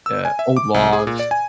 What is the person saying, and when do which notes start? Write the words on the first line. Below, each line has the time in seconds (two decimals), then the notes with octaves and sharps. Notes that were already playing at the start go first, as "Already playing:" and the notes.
uh, old logs,
0.06 E6
0.25 G#5
0.39 E5
0.57 D6
0.74 C2
0.93 G#4
1.07 A#2
1.19 D5
1.31 G#5